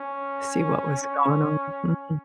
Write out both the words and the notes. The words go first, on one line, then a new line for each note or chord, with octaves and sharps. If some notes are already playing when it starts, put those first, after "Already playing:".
See what was going on. Mhm.
Already playing: C#4
C#4